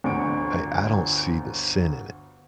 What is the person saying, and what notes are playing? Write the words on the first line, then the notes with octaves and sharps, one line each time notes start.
a I don't see the sin in it.
G1 D2 C#6 D7